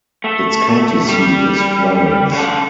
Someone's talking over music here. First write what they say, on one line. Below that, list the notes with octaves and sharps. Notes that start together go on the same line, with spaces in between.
Its county seat is Florence.
A3
G3
C#3 A4